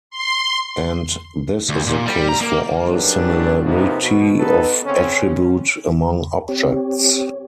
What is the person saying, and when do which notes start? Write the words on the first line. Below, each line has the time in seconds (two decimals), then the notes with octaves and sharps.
And this is the case for all similarity of attribute among objects.
0.10 C6
1.69 D2
1.87 A#2
2.06 G3
2.29 A#5
2.41 A#3
2.90 F#2 C#3 G3 D4 B4
3.64 C3 F3 A#3 B3 D#4
4.01 B2
4.38 B3 D#4 A4 B4
4.85 C#3 C4 C#4
6.49 C4 G4 C#5